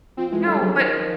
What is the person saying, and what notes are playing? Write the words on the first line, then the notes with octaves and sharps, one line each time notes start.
No, but
F3 C4
E3 G#3
D3 G3
C#3 F#3
D#3 F3